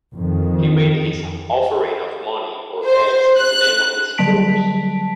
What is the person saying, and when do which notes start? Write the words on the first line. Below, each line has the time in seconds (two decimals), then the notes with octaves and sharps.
He made his offering of money or eggs in the name of his horse.
0.15 F2 D#3
2.86 C5
3.37 F#6
4.18 D3 F#3 G3 A5 B6 D7